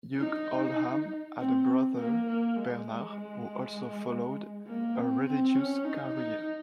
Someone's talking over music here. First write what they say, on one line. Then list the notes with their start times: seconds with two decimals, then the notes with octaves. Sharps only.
Hugh Oldham had a brother, Bernard, who also followed a religious career.
0.19 D#4
1.38 C4
1.98 A#3
2.27 A#3
2.57 G#3
4.66 A#3
4.95 C4
5.25 C4
5.55 C#4
5.85 D#4
6.15 D#4